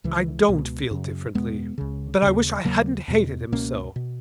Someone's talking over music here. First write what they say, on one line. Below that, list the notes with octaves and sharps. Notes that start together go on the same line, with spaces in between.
"I don't feel differently, but I wish I hadn't hated him so."
C#2 C#3 E3
C#2 B2
F#2 C#3
E2 B2 G#3 B3
C#2 C#3
D#2 C#3
D#2 C#3 F#3 A#3
E2 B2
C#2 B2 A#3 C#4
B2